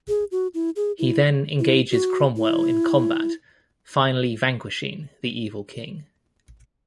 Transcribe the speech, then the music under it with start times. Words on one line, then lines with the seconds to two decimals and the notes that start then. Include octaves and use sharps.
He then engages Cromwell in combat, finally vanquishing the evil king.
0.08 G#4
0.32 F#4
0.54 E4
0.76 G#4
0.99 E4
1.59 E4
1.91 F#4
2.36 E4